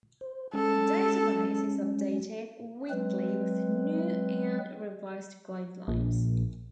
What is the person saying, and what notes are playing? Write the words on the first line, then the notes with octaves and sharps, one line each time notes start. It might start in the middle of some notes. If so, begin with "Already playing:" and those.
The database is updated weekly with new and revised guidelines.
C5
G#3 C#4 A4
F#3 G#3 C4 B4
A#1